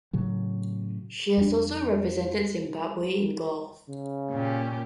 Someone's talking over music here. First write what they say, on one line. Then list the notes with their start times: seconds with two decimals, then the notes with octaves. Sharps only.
She has also represented Zimbabwe in golf.
0.13 A2 C#3 F#3
1.38 F2 D4
3.88 C#3
4.31 A#2 C#4 G4